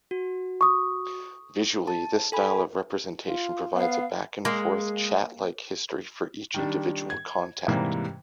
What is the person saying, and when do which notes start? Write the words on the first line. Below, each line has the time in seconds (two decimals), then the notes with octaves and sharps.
Visually, this style of representation provides a back-and-forth chat-like history for each individual contact.
0.11 F#4
0.61 C#6 D#6
1.88 A5
2.32 A4 G#5 B5
3.28 F4
3.74 B3 F5
4.45 G#3 A#3
6.54 D#3 G3 D4
7.10 G#6
7.68 G#2 C3 E3 G3 A#3